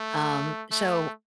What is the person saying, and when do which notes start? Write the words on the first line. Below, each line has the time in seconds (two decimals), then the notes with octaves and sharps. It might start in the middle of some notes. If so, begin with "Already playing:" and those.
Um, so,
Already playing: A3
0.72 A3